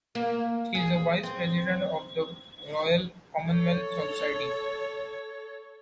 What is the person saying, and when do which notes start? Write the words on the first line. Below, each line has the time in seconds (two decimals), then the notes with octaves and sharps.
She is a Vice-President of the Royal Commonwealth Society.
0.15 A#3
0.75 G#4
1.23 C4
3.48 A4 C#5